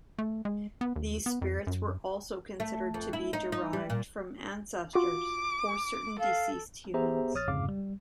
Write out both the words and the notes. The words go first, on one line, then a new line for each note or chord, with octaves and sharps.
These spirits were also considered to be derived from ancestors or certain deceased humans.
A3
G#3
B3
D#2
B3
F2
F#2
A3
F2
E4
D#4
D#4
G3
A#2
F4 F#4 D6
A4 F5
B3 G4 G#4 C5 E5 A#5
A#1 C#5 D#6 F6 A6
G1 F2 G#2 C#3 F5 D6
G3